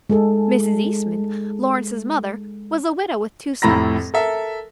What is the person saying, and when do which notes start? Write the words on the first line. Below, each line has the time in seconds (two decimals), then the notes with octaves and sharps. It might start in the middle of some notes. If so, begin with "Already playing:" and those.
Mrs. Eastman, Lawrence's mother, was a widow with two sons.
0.10 G#3 G#4 A4
3.62 F1 A2 E4 A#5 B5 A#6
4.14 A4 A#4 E5